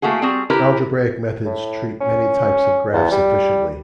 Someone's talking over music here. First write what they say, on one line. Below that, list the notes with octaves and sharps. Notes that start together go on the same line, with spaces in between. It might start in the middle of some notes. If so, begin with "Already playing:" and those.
Algebraic methods treat many types of graphs efficiently.
A3 A#3 E4 F#4 G#4
G3 C4 F#4 G#4
E4 G4 A#4 B4
A2
C#4
E2
G3